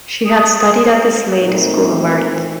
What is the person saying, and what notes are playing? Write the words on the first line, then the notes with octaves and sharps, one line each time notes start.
She had studied at the Slade School of Art.
D#6
A#2 A3 C4 D#4